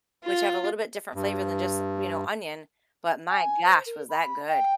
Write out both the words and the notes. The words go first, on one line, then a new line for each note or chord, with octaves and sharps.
which have a little bit different flavor than just, you know, onion. But, my gosh, was that good.
F4
G2
G#5
C5
A#4
B5
G5